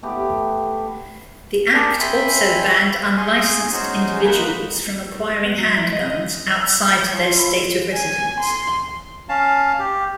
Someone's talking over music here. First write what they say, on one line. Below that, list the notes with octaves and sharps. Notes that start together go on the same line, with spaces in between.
The Act also banned unlicensed individuals from acquiring handguns outside their state of residence.
A3 B3 G4
D4 G#4 A#4 C5 D5
E5 G5 G#5 B5 C6
G#4 G#5 C6 C#6
C#4 D#4 F#4 G#4 C5
G#3 A#3 D#4 F#5 B5
B3
F#3
E4
D#5
D#5
C#5
F3
E4
G#5
C6
C#4 F5 A5
G4